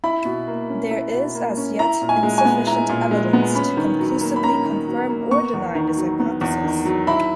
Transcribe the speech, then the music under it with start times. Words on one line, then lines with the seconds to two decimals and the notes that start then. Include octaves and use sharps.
There is as yet insufficient evidence to conclusively confirm or deny this hypothesis.
0.04 E4 B5
0.25 B2
0.47 A#3
0.69 C#4
0.91 E4
1.13 B2
1.35 A#3
1.57 C#4
1.79 E4 A#5
2.01 A#2
2.09 G#5
2.23 G#3
2.38 G#5
2.45 B3
2.67 E4 A#5
2.89 A#2
3.11 G#3
3.33 B3
3.55 C#4 B5
3.77 D#3
3.99 F#3
4.21 A#3
4.36 B5
4.43 C#4 A#5
4.65 D#3
4.88 F#3
5.09 A#3
5.31 B3 C#6
5.54 E2
5.75 D#3
5.97 F#3
6.20 B3
6.41 E2
6.64 D#3
6.85 F#3
7.07 E4 B5